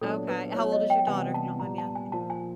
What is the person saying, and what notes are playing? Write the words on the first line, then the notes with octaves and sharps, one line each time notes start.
Okay how old is your daughter, if you don't mind me asking?
A#2 F#3 B3 D4 A4
B4
F#3 B3 E4 C#5
D#5
G5
C3 E3 G3 B3 E4 G#5
A5
A#2 G3 B3 A#5
A5
G#5
A#2 F3 A#3 A5
G#5